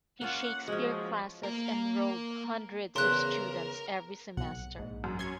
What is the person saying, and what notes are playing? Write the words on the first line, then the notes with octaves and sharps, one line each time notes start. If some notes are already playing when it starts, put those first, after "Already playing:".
His Shakespeare classes enrolled hundreds of students every semester.
A#3 C#4 F4 F#5
F3 G#3 C#4 F#4
A#3 A#4
E2 C#3 A#4 C6 F#6
B1 F#5
A#1 G#2
F#2
C#4 C#5 C6 G#6